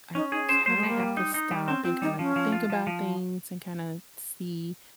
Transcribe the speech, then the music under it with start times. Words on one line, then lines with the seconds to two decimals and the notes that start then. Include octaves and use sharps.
I kinda have to stop and kinda think about things and kinda see,
0.15 C#4 D#4
0.32 D#4 G#4
0.49 C#4 C5
0.66 A#3 C5
0.76 G#3
0.83 G3 A#3
1.00 G3
1.17 D#4
1.34 D#4
1.51 G3
1.68 C4 C#4
1.84 C4 F4
2.02 G3 D#4
2.18 F3 C#4
2.36 F3
2.52 F4
2.70 F3
2.87 F3